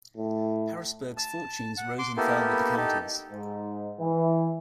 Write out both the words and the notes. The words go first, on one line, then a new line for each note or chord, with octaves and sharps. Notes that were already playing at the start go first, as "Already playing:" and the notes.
Harrisburg's fortunes rose and fell with the county's.
A2
A5
F#5
C6 D6
A#3 B3 E4 G4 A4
D#4 G4 A4
G#2
E3